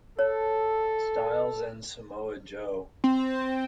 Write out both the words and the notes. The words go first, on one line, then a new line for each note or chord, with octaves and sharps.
Styles and Samoa Joe.
A4 C#5
C4